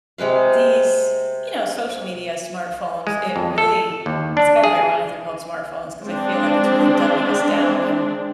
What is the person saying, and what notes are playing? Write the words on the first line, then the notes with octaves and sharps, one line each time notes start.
these, you know, social media, smartphones, it really it's, kind of, ironic they're called smartphones 'cause I feel like it's really dumbing us down, and
C3 G#3 B4 F5
G#3
F2
A4
D#2
D4
G#4
G#3 C4 D4